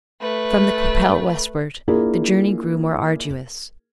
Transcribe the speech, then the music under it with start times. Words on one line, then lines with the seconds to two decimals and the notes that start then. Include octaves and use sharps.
From the Qu'Appelle westward the journey grew more arduous.
0.21 A3 B4
1.88 A#3 D4 E4 F4 G#4 A#4